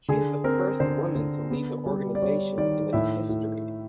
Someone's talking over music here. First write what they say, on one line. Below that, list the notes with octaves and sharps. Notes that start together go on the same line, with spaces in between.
She is the first woman to lead the organisation in its history.
D3 G#4
C4 A#4
D3 C5
D3
B3
G3
D5
G3 C#5
D#3 D5
A2 E5
A2